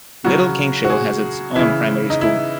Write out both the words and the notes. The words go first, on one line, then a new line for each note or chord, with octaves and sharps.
Little Kingshill has its own primary school.
C#3 F#3 F#4
F#4
G#4
C#3 E3 E4
D#4
E4